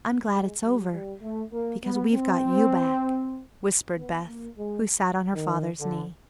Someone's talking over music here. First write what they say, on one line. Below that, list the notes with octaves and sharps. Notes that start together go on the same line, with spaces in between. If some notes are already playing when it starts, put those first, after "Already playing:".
"I'm glad it's over, because we've got you back," whispered Beth, who sat on her father's knee.
G#3
G3
G3
A3
A#3
B3
C4
B3
A#3
G#3
D#3
D3